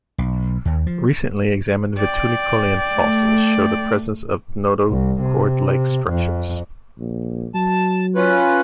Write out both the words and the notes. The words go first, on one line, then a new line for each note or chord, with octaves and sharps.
Recently examined Vetulicolian fossils show the presence of notochord-like structures.
B1
D#2
F3
D5 G5
A3
C2
C3
F2
A#1
F#3 A5
C#4 F4 B4